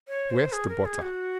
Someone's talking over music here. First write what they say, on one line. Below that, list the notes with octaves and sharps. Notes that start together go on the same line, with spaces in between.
"Where's the butter?"
C#5
C5
G#4
A#4
G#4
F#4